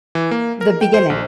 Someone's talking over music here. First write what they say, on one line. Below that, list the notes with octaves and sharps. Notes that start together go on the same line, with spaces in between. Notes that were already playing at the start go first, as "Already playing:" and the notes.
the beginning.
E3
A#3
A#4
G5
C5
A#1